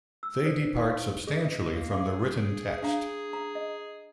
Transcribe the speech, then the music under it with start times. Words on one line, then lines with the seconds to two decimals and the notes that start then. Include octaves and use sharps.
They depart substantially from the written text.
0.23 E6
0.44 A4 B4 C5 D5
0.75 D#4 E4 D5 F5 C6 C#6
1.27 G#4 D#5
1.76 A#3
1.91 G#4 F5 D6
2.82 D4 F5 A#5
3.33 A#5
3.55 D#5